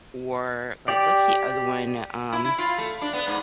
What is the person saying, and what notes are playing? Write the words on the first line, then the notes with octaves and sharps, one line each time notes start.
or, like What's the other one? Um,
G4 D5
E4
E4
F4
A3
D4
B3
G#2